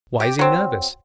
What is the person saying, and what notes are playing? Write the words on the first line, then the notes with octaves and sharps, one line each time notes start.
Why is he nervous?
G4
F#3 C4